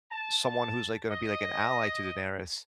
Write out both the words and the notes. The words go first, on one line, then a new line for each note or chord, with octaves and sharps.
someone who's, like, gonna be, like, an ally to Daenerys,
A5
D#5